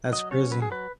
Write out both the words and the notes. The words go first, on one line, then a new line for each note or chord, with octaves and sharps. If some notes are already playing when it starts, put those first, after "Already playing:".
That's crazy.
F#3 D#5
C#4 C#5
F#3 B4
G#4
F#3 B4